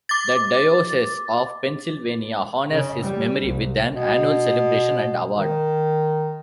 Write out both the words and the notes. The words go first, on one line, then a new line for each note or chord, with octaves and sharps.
The Diocese of Pennsylvania honors his memory with an annual celebration and award.
D6 A6
C#3
G3
C2
B2
D#3